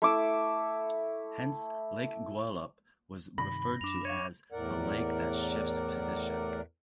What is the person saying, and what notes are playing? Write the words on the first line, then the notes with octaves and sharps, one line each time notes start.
Hence, Lake Gwelup was referred to as "the lake that shifts position".
A3 E4 D6 E6
G2 C3 D#3 B5 A#6
F#2 D4 D6 F7
C#5 C#6
E2 A2 A#4 D5 F#5